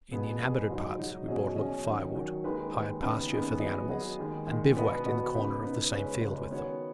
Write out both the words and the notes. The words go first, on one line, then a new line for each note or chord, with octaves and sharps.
In the inhabited parts we bought a little firewood, hired pasture for the animals, and bivouacked in the corner of the same field with them.
B2 B3 G#4
B2 B3 G#4
G#2 F#3 D#4
G#2 F#3 D#4
B2 F#3 C#4 G#4 D#5
B2 F#3 C#4 G#4 D#5
D#3 F#3 C#4
D#3 F#3 C#4
D#2 D#3 G#3 D#4 B4
D#2 D#3 G#3 D#4 B4
D#2 C#3 B3 D#4 G#4
D#2 C#3 B3 D#4 G#4
F#3 B3 G#4 D#5
F#3 B3 G#4 D#5
D#2 D#3 G#3
D#2 D#3 G#3
B2 B3 F#4 B4 D#5
B2 B3 F#4 B4 D#5
C#3 B3 D#4 B4
C#3 B3 D#4 B4
C#2 C#3 G#3 C#4 B4
C#2 C#3 G#3 C#4 B4
D#3 B3 F#4 C#5